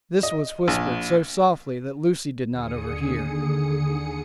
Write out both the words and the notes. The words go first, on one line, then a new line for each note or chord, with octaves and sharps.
This was whispered so softly that Lucy did not overhear.
D#5
A#1
D#2 D3 G#4 D#6 C#7